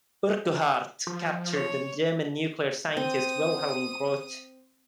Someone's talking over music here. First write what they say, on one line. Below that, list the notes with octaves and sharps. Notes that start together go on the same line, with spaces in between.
Urquhart captured the German nuclear scientist Wilhelm Groth.
F3
C#5
C4 D#6 D#7